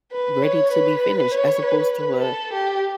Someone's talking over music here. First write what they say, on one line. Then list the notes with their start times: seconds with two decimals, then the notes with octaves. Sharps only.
ready to be finished, as opposed to a
0.12 B4
0.42 C#5
0.71 B4
1.32 C#5
1.62 B4
1.92 B4
2.21 A4
2.52 G4